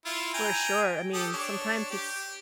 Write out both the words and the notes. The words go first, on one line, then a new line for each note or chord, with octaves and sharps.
For sure. I mean, sometimes it's
E4 F4
G5 G#5 A#5
G4 A4 D#6
D4 C#5
G4